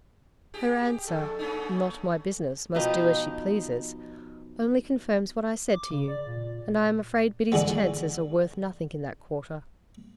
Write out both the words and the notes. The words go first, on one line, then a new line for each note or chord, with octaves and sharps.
Her answer: "Not my business, must do as she pleases," only confirms what I said to you, and I am afraid Biddy's chances are worth nothing in that quarter.
G4 G#4
F2 A3 A4
A#3 C#4 D#4
B2 F3 D#4 G4
D6
C#3
D5
A#2
D3 E3 G#3 B3